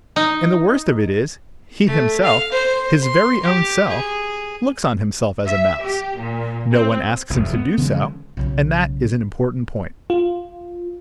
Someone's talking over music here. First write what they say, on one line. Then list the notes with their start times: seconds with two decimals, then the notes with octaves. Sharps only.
And the worst of it is, he himself, his very own self, looks on himself as a mouse; no one asks him to do so; and that is an important point.
0.16 D#4
1.87 A3
2.23 F5
2.52 C5
3.02 C6
3.43 G4
3.89 G#4
5.46 E5
5.83 G4
6.19 A#2
6.71 C4
7.30 F1 E2
7.54 B3
7.77 C#3 E3 F3 G#3
8.37 B1 C#3
10.10 F4